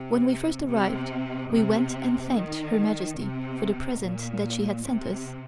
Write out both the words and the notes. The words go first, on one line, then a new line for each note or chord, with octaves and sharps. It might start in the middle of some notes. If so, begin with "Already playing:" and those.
When we first arrived we went and thanked Her Majesty for the present that she had sent us.
Already playing: C3
C3
C3
D#3
C3
A#2
C3